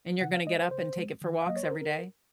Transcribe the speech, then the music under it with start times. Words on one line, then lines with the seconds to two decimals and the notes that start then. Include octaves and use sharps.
And you're gonna get up and take it for walks every day?
0.21 C#3 F#5
0.34 F5
0.46 G#3 D#5
0.59 C5
0.71 C#3 C5
0.97 G#3
1.22 D#3
1.42 F5
1.47 F#3 A#3 D#5
1.56 C#5
1.64 C5
1.71 A#4